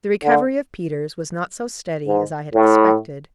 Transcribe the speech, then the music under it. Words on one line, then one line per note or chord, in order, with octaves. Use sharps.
The recovery of Peters was not so steady as I had expected.
D3
G#2
A2